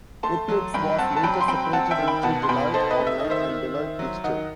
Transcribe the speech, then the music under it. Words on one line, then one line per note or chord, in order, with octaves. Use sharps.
Eclipse was later separated into Deloitte Online and Deloitte Digital.
A3 A5 C6
F#3
G2 G5 B5
C4 F#5 A5
A5
F#3 G5 B5
C6
C4 G5 B5
C4 F#5 A5
E5 G5
D#3
G5 B5
B2 F#5 A5
C6
B2 G5 B5
D#4 A4 C5
B4 D#5
A3
E5
D#3 D#5
C5 E5
D#3
D#3
F#3
D#3 D#5 F#5